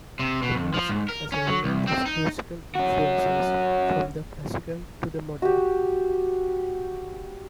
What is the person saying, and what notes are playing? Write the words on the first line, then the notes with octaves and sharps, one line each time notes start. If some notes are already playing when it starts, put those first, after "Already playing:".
The music has a range of musical influences from the classical to the modern.
C3
B2
F2
F3
G#2
A#4
C#4
F#3
C2
C4
D#4
C#4 F#4
F#4 G4